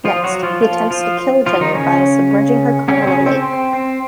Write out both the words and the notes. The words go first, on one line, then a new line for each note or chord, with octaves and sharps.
Next, he attempts to kill Jenny by submerging her car in a lake.
F3 F4
F#3 F#4
F3 F4
F3 F4
F3 F4
F3 F4
D#3 D#4
C#3 C#4
C#3 C#4
C4
C#3 C#4
C4
C4
C4